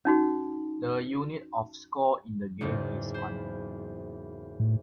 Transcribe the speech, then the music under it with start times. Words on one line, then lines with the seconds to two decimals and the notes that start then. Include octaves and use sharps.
The unit of score in the game is "money".
0.05 C#4 D#4 F#4
2.61 F#1 E2 G#2
3.14 C5 B5
4.60 A2